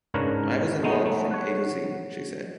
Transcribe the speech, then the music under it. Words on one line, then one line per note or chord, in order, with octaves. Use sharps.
"I was involved from A-Z," she said.
G#2 C#3 D4 A#4 B4 C#5
G#3 A3 B3 D#4 F#4
A3
C#5 F#5